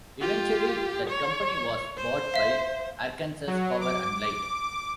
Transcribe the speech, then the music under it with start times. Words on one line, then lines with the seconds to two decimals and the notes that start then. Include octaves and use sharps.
Eventually, that company was bought by Arkansas Power and Light.
0.21 F4 G4
1.10 C#5
1.97 C5
2.34 E5 F5
3.47 F#3
3.81 D6